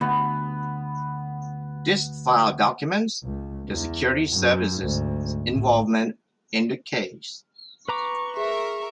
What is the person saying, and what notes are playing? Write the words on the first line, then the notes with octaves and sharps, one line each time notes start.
This file documents the Security Service's involvement in the case.
D2 B3
C#2
E2
F#2
D2 G#2
A1 A2
B4 A#5 C#6 D6
G#4 A#4 E5 C#6